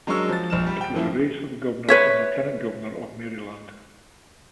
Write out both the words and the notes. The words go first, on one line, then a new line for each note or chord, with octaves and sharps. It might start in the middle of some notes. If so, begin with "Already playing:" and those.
It was a race for the Governor and Lieutenant Governor of Maryland.
F#3 G#3 D4 A#4 C#6 E6
F3 A6
A#1 F6 E7
G3
G5
F#2 E3 F3 A#3 E4
B4 C#5 E5